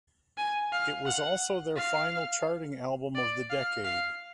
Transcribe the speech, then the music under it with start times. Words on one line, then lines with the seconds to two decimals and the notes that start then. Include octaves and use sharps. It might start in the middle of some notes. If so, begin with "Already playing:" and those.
It was also their final charting album of the decade.
0.37 G#5
0.72 F5
1.06 F#5
1.76 F5
3.15 D5
3.50 F5
3.84 F5